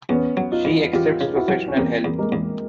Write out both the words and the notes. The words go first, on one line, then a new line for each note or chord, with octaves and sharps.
She accepts professional help.
E2 B3 C#4
F#3
D#4 F4
E2
E2 F4 G4
C#3
E4 F#4
F#3
C#4
E2 A#3 C4
E2
G#3 A#3
E2